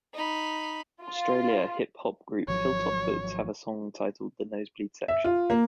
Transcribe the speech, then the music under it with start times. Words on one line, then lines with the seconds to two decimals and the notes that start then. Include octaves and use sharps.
Australia hip hop group Hilltop Hoods have a song titled "The Nosebleed Section".
0.14 D#4 B5
1.02 F4
2.48 G#1 F3 F#3 C#5
5.08 E5
5.24 F4
5.50 A#3